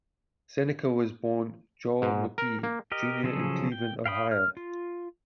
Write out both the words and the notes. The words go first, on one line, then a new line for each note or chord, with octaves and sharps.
Seneca was born Joel McGhee, Junior in Cleveland, Ohio.
G#2
A#4
A#3
G4 A#4 D#5
C#3 F3 F#3 G#4 A4
G5
F5 G5 B5 D#6
F6
F4